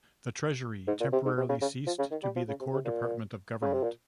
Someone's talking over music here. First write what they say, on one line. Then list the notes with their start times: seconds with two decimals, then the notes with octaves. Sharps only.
The Treasury temporarily ceased to be the core department of government.
0.88 G#2
1.00 A#2
1.13 C3
1.25 G#2
1.37 C3
1.49 C#3
1.62 C#3
1.87 F3
1.99 C#3
2.11 D#3
2.23 G3
2.36 F3
2.48 C#3
2.60 C3
2.73 C3
2.85 A#2
3.62 C#3
3.73 C3
3.83 A#2